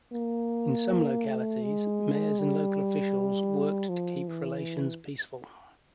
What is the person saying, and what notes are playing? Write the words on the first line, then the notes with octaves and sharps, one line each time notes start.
In some localities, mayors and local officials worked to keep relations peaceful.
A#3
A3
G#3
G3
F3
E3